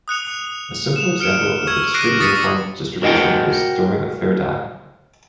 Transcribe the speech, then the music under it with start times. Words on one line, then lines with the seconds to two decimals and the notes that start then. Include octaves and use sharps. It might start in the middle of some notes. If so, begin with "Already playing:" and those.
A simple example of the discrete uniform distribution is throwing a fair die.
0.08 D#6 F#6 C#7 F7
0.96 E7 F7
1.20 F6 C#7 D7 E7
1.67 C#6 E6 G#6
1.94 D6 F#6 A#6 C7 D7 D#7
2.20 C#6 D#6 A6 B6 C#7 D#7
3.02 F#4 A#4 D#5 F#5 G5